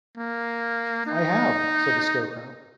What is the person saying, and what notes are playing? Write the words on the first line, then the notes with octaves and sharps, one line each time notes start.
"I have," said the Scarecrow.
A#3
D#4